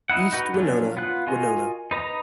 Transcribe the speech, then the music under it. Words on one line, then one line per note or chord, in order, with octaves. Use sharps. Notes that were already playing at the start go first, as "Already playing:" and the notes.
East Winona - Winona.
D#4 E4 F#5
D#4 F#4 B4
F3 F#3 A#3 C#4 D4
B3 F4 F#6
F4 F#4 A#4 D#5 G#5
D#4 B4 D#5 A#5